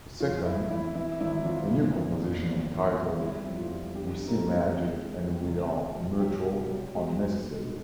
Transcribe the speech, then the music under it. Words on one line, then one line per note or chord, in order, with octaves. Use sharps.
The second, a new composition entitled "We See Magic and We Are Neutral, Unnecessary".
F2 F4
E3 E4
E3 E4
E3 E4
G#1 E4
E3 F4
A#1
A#1
A#1
E2
E3
E1
G3 E4
F2
F4
G3
D3 G4
D3
A#4
A4
D3
E3 G#4
G#3
E3
C#2
G#3
B2
F#3 G4
C2
F#3
G#3
G#3
G#3